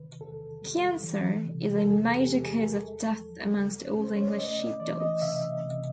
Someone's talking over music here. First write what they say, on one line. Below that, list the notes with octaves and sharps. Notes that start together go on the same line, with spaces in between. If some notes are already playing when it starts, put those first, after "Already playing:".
Cancer is a major cause of death amongst Old English Sheepdogs.
Already playing: C3 D#3 B4
E2 A4
G3
E3
C3
A4
E2 G#4
G4
G#3
G#4
A#4
G#3 A4
F3
C#3
C#4 B4
C5
C#5
D5
A3 D#5
D5
E3 D5
D#5
C3 E5
C3